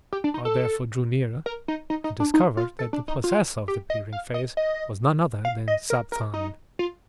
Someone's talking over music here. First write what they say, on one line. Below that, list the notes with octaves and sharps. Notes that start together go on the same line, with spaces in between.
I therefore drew near and discovered that the possessor of the peering face was none other than Sab Than.
G4
D4
D#4
A4
A#4
D#4
D#4
D#4
D4
D#4
F4
A4
D4
D#4
F4
G4
D#5
F5
D#5
D#5
F5
D#5
A#4
A#4
D#4
F4